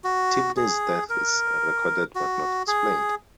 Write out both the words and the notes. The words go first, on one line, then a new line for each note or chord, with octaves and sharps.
Tibni's death is recorded but not explained.
F#4
G#4
A#4
F#4
G#4